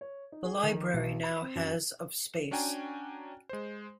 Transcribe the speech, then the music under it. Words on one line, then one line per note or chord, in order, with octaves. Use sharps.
The library now has of space.
C#5
D#4
G#4
D#3
B1
B5
C4
F#2
C#4 D4 F#4 G5 G#5 A#5
G#3 C5